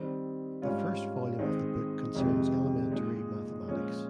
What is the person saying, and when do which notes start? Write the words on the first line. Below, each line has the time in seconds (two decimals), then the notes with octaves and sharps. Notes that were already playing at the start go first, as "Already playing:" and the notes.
The first volume of the book concerns elementary mathematics.
Already playing: D#3 G3 C4
0.62 G#2 G3 C#4 F4
1.39 D#3 G#3 C4 D#4
2.14 F2 C3 D#3 G#3
2.91 A#2 G#3 D#4
3.68 A#2 F3 G#3 C#4